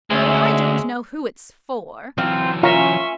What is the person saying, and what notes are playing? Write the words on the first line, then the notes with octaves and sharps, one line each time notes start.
Well, I don't know who it's for!
D2 G#3 C#4 E5
E3 F#3 C4 F4 C5
C#4 F4 E5 F5 A#5 C6